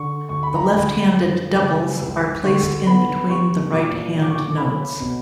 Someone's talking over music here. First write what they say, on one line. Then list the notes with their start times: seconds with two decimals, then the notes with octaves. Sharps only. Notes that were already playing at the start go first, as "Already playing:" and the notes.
The left-handed doubles are placed in between the right hand notes.
Already playing: D3 C#6
0.29 D2 C#6
0.43 B5
0.55 A#5
0.68 B5
0.73 D3
1.16 F#2
1.59 C#3
2.01 C#2
2.43 D3 C#6
2.86 B3 B5
3.29 G3 C#6
3.72 A#2 D6
4.15 D3
4.22 D6
4.29 C#6
4.36 D6
4.57 C#4 B5
5.00 B2